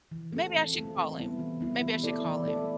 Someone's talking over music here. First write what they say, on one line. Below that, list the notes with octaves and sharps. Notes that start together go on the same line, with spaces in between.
Maybe I should call him. Maybe I should call him
E3
A3 C4 F4 A4
E3
A3 C4 F4 A4
E3
G3 B3 E4
E3
G3 B3 E4
E3
A3 E4 A4 D5
E3
A3 E4 A4 D5